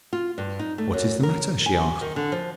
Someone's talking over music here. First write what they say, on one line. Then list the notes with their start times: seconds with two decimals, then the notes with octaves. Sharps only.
'What is the matter?' she asked.
0.13 F4
0.38 G2
0.59 D#4
0.78 A3
0.93 F#2
1.23 A#4
1.66 G#5
2.01 D#3
2.16 D3
2.32 F3